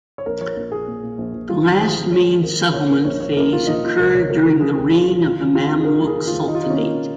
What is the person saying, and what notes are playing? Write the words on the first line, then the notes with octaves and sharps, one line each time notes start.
The last main settlement phase occurred during the reign of the Mamluk Sultanate.
C#5
A#1 A#4
F3 C#5
A#1
A#1 G#4
A#2
A#2
A#1
A#1
G#1 F4
G#1
F3 G#4
G#1
G#1 C#5
G#1
G#1 A#4
F3
A#1 C#5
A#1 A#4
A#1 C#5
A#1 C#5
A#1 A#4
A#2 F4
A#1 D#4
A#2 F4
C#2 A#4
C#2 C#5
C#3 A#4
C#2 A#4
F3 G#4
C#2
C#3 F4
F3
D#3 F4
D#2
D#2 F4
D#2
G#4
D#3 A#4
D#2
G#4
D#3
D#2 F4
D#3 D#4
F4
D#3 D#4
C#4
D#3 A#3